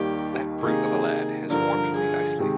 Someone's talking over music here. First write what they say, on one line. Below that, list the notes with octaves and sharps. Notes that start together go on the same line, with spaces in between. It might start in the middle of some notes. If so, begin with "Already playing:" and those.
That brute of a lad has warmed me nicely.
Already playing: D#2 D#3 G3 A#3 G4
C3 D#3 A#3 D#4 G#4
G2 D3 F3 A#4
G#4
C3 D#3 G#3